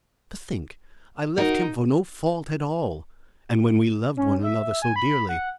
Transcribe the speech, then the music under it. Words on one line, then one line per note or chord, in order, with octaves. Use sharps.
To think I left him for no fault at all; and when we loved one another so dearly!
D#4 F#4 A#4
C#4
E5
G#5
B5
F#5